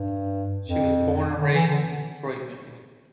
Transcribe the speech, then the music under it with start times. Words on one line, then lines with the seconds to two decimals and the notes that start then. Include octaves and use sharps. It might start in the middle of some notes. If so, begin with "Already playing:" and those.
She was born and raised in Detroit, Michigan.
Already playing: G2
0.67 F2
1.42 D3
1.54 E3
1.67 D3